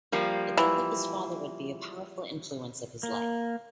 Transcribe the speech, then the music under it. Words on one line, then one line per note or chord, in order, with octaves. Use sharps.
The death of his father would be a powerful influence of his life.
F3 G3 A#3
E3
A#3